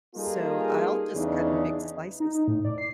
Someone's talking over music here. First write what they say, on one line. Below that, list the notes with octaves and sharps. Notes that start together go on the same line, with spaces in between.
so I'll just cut in big slices.
G3 A#3 D#4 F4 G#4 A4
E2 C#3 D4 D#4
D#4
D#4
A2
D5
C7